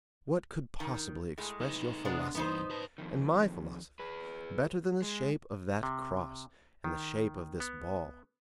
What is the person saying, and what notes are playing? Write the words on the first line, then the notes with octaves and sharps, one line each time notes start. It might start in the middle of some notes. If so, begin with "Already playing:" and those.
What could possibly express your philosophy and my philosophy better than the shape of that cross and the shape of this ball?
D#3
A2 G#3
D#4 B4
C3 G#3 B3 D4
G2 E3 B3 D#4 C5
B4 A5
F2 D#3
G#4 B4
G#3
C3
D#3
B3